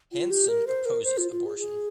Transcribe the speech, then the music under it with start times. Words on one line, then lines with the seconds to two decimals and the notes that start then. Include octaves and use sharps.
Hansen opposes abortion.
0.12 F4
0.30 G4
0.48 A#4
0.67 C5
0.85 A#4
1.04 C5
1.18 F4
1.32 F4
1.46 G#4
1.59 G#4